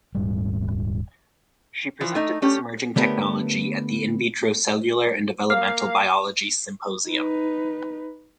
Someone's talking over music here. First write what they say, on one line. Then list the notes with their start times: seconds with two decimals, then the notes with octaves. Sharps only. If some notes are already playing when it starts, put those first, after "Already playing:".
She presented this emerging technology at the In Vitro Cellular and Developmental Biology Symposium.
0.15 D#1 G#2 G3
2.01 E3 F3
2.15 A3 D#4
2.42 A3 C#4 G4
2.96 D3 A3 B3 G4 A#4 C#5
5.50 A#3 F5 F6
7.08 D#4 B4